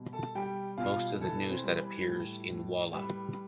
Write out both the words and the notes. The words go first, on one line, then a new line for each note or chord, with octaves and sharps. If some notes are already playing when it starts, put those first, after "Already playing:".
Most of news that appears in Walla!
Already playing: B2 G3
A4 A5
G3 G4 G5
B2 F4 F5
E3 A4 A5
C4 C5
G3
B4
A2
A2
G3 B4